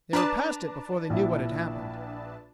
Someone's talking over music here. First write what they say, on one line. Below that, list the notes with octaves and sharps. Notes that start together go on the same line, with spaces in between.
They were past it before they knew what had happened.
D4 B4 A5 A#5 D6
A#1 E4